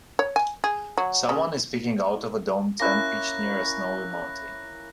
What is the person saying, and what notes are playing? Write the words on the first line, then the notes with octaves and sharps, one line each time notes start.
Someone is peaking out of a dome tent pitched near a snowy mountain.
C#5
G#5
G#4
F#3
C#3
A#3 C#4 E4 F#6 A#6